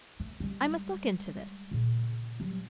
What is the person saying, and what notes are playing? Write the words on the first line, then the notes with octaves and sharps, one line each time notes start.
I must look into this.
A3
G3 G#3
A#2 C#3
F#3 G3